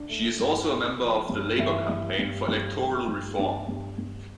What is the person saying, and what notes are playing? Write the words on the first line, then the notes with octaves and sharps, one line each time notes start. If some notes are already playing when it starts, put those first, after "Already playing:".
She is also a member of the Labour Campaign for Electoral Reform.
Already playing: D4
A3
G2
A3
F3
G2
G2 E3 E4
G2
G2
G2
A3
G2
G2 D4
G2
G2